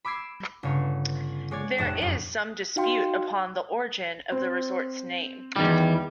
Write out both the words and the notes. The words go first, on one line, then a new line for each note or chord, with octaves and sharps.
There is some dispute upon the origin of the resort's name.
B5 D6 E6 G#6 C7
G1 C#3 C#5
G#3 C#5 D5 G#6
F1 A2 D#5 F#6 E7
F#2
D#4 F#4 F5 G5 C6
C4
E2 D#3 G3